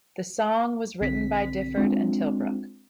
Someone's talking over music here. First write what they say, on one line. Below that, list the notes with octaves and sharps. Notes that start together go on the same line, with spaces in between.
The song was written by Difford and Tilbrook.
B1 D3 C4 B6
G#3 C4 D4 F4